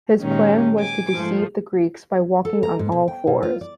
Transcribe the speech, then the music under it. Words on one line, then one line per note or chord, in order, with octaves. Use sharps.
His plan was to deceive the Greeks by walking on all fours.
A#2 D#3 G#3 C#4 D#4 G4
G#5 D6
G#2 F3 A3
A4
A#5
G#2
B2
G5
B2
F4
D5